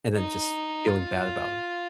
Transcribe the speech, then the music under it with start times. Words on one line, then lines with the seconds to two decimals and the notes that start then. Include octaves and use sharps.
and then just feeling bad about it.
0.16 D#4
0.88 F4